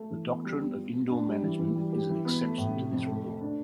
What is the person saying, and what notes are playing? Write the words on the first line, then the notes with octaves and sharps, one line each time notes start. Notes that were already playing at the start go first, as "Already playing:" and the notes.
The doctrine of indoor management is an exception to this rule.
Already playing: A3
E3
B3
G3
B3
F4
B3
D4
G3
E3
E3
G3
G4
E3
B3
A3
A2
C3
F2
A3
A3
D4